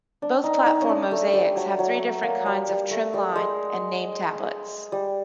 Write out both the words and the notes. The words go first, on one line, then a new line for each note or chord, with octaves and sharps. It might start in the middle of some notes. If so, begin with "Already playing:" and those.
Both platform mosaics have three different kinds of trim line and name tablets.
D4
D#4
D#4
C#4
D4
A3
G3
F#3
F#3
A#3
G3
G3
A3
G3
G#3
G3